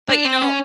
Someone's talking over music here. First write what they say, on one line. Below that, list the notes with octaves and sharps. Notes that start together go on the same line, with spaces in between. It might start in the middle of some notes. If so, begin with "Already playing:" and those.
But, you know
D4
C4
C#4